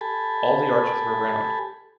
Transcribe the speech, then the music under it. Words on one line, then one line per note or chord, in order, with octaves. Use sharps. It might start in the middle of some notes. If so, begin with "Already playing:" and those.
All the arches were round.
G4 A4 G#5 A5 B5